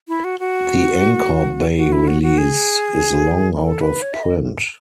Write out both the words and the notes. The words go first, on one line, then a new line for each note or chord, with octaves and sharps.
The Anchor Bay release is long out of print.
E4
F#4
F#4
F#4
E4
F#4
F#4
G#4
A4
B4
C#5
E5
D#5